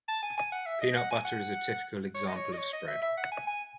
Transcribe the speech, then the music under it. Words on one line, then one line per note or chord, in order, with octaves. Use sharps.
Peanut butter is a typical example of spread.
A5
G#5
G#5
F#5
E5
D#5
F#5
G#5
F#5
C#5
D#5
C#5
D#5
C#5
D#5
E5
E5
F#5
G#5
G#5